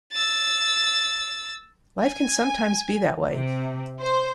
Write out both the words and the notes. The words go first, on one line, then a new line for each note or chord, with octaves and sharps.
Life can sometimes be that way.
E6 A6
G#5
C3
C5